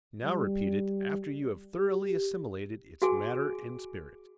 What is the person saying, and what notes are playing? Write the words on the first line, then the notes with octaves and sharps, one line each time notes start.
Now repeat it after you have thoroughly assimilated its matter and spirit.
G3
G4
F#4 G#4 G5 G#5 D6